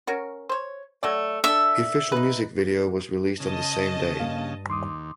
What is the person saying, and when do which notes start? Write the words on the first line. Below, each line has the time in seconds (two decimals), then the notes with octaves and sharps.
The official music video was released on the same day.
0.07 C#4 F#4 A#4
0.49 C5 C#5
1.03 F#3 A3 D5
1.44 D4 A4 E5
2.12 D#4 B4
3.40 C#3 D#5 A5
4.20 G2 A#3 F5
4.70 D#2 C6 D6 D#6